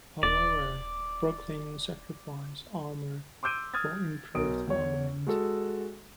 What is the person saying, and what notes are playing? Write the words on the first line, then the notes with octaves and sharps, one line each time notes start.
However, "Brooklyn" sacrificed armor for improved armament.
D#1 D5
C6 D6 E6 G6 D7 D#7
D#6 F6 G#6 A6
B1 A#4 D#6 D7
E2 C#5
G#3 F#4 A4